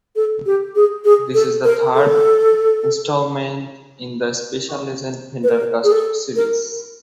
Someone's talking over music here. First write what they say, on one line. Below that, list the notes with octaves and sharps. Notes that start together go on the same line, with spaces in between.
This is the third installment in the Special Agent Pendergast series.
A4
G4
G#4
G#4
A4
A#4
A4
B4
A#4
G#4
A4
A#4